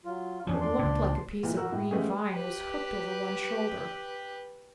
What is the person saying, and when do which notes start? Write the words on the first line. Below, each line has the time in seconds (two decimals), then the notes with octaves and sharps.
What looked like a piece of green vine was hooked over one shoulder.
0.05 F#3 F4
0.47 E2 F3 C#4 D4
0.61 D4 D5 C6
0.79 C#2 A#2
1.43 A#2 E3
1.57 F#4 A#4 E6 F#6
1.72 A2
1.91 G#3 A3 B3 C#4 G4 G#4
2.32 G4 B4